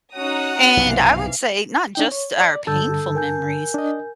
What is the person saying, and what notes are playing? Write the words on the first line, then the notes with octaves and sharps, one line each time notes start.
And I would say not just our painful memories,
C#4 D#4 F#4 F#5 A#5 D#6
B1 G2 C3 E3 F5
D4 D#4 G5
C#5
D5
G2 D3 A4 A5 E6 G6
A#4 G#5 G6
D4 D#5